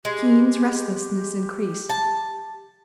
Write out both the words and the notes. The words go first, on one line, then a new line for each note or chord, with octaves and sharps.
Keene's restlessness increased.
G#3 G4
A5